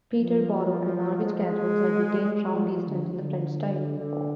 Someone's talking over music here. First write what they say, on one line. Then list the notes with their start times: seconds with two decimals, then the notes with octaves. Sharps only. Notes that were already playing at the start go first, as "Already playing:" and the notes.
Peterborough and Norwich Cathedrals have retained round east ends in the French style.
0.15 F3
1.24 G#3
1.34 F3
1.44 G#3
2.33 G#3
2.51 F3
2.70 F3
2.88 D3
3.15 D3
3.97 D3